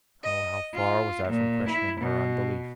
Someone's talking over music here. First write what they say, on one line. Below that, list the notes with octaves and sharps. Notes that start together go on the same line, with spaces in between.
How far was I from questioning her unbelief!
D#5
F4
A#2
E4
B2